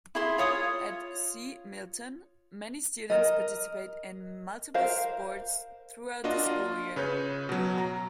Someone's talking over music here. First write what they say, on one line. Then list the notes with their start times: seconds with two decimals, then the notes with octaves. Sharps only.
At C. Milton, many students participate in multiple sports throughout the school year.
0.15 E4 G#4 C6
0.38 F4 C#5 D#6
3.10 A#4 D#5
4.74 A#4 C5 F5
6.24 A#3 D4 F4 F#4 D#5
6.46 F4
6.96 C#3 B4 C#5 G6
7.49 B2 F#3
7.78 A#5